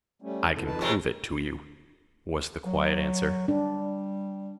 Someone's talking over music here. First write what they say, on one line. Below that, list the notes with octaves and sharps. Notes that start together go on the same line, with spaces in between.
"I can prove it to you," was the quiet answer.
G3 A3 C#4
C2 A2 E3 A4
F2 D#3 B4 A5
A2 C3 G#3 G#4
F#3
G3 D4